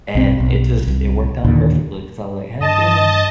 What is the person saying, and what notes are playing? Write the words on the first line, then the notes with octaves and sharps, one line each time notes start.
and it just it worked out perfectly 'cause I was like, "Heck yeah."
B1 C4
B1
C2
D#2 A#2 D3
G2 D#5 A5